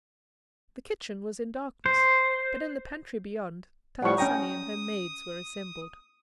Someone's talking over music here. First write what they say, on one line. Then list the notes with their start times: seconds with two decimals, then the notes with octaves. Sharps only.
The kitchen was in darkness, but in the pantry beyond Tant Sannie and her maids were assembled.
1.86 C5
4.02 A2 F3 G3 F#5 C#6
4.18 C#4 G5 A#5 D#6